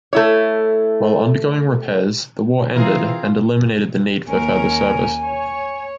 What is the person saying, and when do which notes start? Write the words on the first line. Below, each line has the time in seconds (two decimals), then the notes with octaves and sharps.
While undergoing repairs, the war ended and eliminated the need for further service.
0.13 A3 E4 C#5
2.76 E3 C4 F4 G#4 A#4
4.27 D#2 C#4 A#4 G#5
5.25 C#5